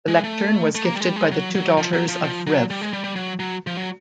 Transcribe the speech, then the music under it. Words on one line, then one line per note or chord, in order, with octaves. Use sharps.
The lectern was gifted by the two daughters of Rev.
G#3
A3
A3
A#3
G3
G#3
G3
G#3
F#3
F#3
F3
F#3
F3
F3
F#3
G3
G#3
G3
G3
F#3
F#3
F3
F#3